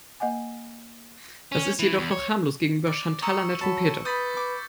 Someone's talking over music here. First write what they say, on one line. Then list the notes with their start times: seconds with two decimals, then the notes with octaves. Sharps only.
Das ist jedoch noch harmlos gegenüber Chantal an der Trompete.
0.20 A#3 D#5 F#5 G#5
1.52 C#4
1.79 E3
1.98 E2
2.11 C#5
2.87 D5
3.22 A#5 C#6 D#6 E6 C#7
3.61 F#3 A5 B5
4.05 B4 B5 D#6 G6 A6 B6
4.37 D6